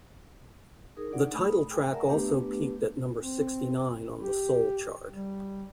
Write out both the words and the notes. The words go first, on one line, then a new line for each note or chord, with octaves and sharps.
The title track also peaked at number sixty-nine on the soul chart.
D#4 G#4 A#4 D#6
D4 D#4 G#4 D5 F#5
A3 B5 D#6
G#4 G5 G#5
A#4 D5 E5 F#5 A5 A#5
A3 B3 D4 G4 B4
C4
G4
G3